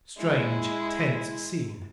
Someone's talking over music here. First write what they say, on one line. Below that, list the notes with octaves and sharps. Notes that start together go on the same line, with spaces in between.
Strange, tense scene.
G#3 E4